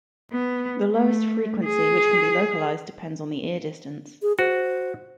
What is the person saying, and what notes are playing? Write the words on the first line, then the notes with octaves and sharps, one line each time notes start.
The lowest frequency which can be localized depends on the ear distance.
B3
A3
G#4
G#4
F#4 C5